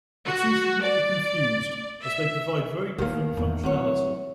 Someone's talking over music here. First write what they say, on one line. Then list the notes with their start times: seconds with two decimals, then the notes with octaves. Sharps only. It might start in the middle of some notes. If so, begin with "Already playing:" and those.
The two should not be confused as they provide very different functionality.
0.25 F#4
0.84 D5
2.03 E5
2.98 D#2 D#3 A#3 B3
3.37 E2 A2
3.63 E2 F#3 C4 C#5